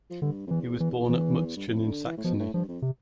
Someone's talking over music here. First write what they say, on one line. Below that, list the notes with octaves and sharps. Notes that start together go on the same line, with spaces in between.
He was born at Mutzschen in Saxony.
F3
G2 D3
F2
E2 E3
E3
E3
G2
F2
D3
E3
A2
B2 F3
A2
G2 F3
F2
C3